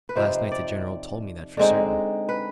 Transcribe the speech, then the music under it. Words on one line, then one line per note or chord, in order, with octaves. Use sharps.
Last night the General told me that for certain.
B4
C3 F3 C4 D#4 C5
D5
D3 G#3 C4 D#4
B4